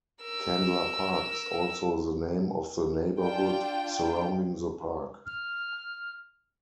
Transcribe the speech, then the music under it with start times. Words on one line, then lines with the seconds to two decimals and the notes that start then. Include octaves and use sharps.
Candler Park is also the name of the neighborhood surrounding the park.
0.22 A#4 E6
3.21 D4 F4 G5
5.26 F6